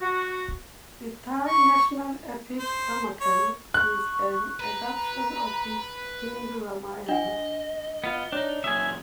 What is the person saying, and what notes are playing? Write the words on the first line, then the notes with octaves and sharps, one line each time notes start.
The Thai national epic Ramakien is an adaption of the Hindu Ramayana.
F#4
C#6
C5
C#5
C#6 F#6
B4 A#5
D4 D#5 F#5 G#5
B3 F4
D4 D#4 C#5
F#2 A#2 C#3 E5 G#5 D#6